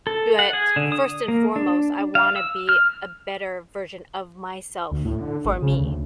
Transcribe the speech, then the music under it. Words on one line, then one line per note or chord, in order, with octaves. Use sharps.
But first and foremost, I wanna be a better version of myself, for me,
A4
F#5
G#4
D3
D#6
A#3
D4
F5
E6
F6
D2
A2
D3
G#1
C#3
D2